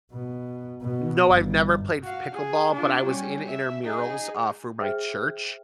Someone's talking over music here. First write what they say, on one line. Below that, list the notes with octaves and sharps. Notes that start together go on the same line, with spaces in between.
No, I've never played f pickleball, but I was in intermurals, uh, for my church,
B2
B2
G1
F#4 F5
G#4
D4 F4
G3 C#4
E5
D#4 G#4
G#4 C5 E5 G5 F6